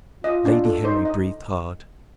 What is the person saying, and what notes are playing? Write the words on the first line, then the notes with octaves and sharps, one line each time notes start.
Lady Henry breathed hard.
F4 D#5
D4
A4
D#4 C5
D#5